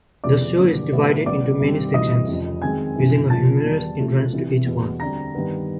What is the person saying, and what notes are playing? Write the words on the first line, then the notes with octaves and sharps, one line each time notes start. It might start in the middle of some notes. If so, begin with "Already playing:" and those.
The show is divided into many sections, using a humorous entrance to each one.
E2 C3 F3 G#3 D5 D6
G2 D3 G3 A#3
A1 A2 F#3 B3
C#2 B2 F#3 D5 D6
G2 D#3 G3 C4
D2 C3 E3 G3 D#5 D#6
F1 F2 C#3 F3
F#2 D#3 G#3 C4 G#5 G#6
G1 F#2 C#3 E3
A#1 A#2 F3 A#3 A5 A6
E2 B2 G3
A1 A2 F3 A3 C4
C2 C3 E3
E2 B2 G3 B3
D2 D3 G3 C4 A#5 A#6
G2 D#3 G3 B3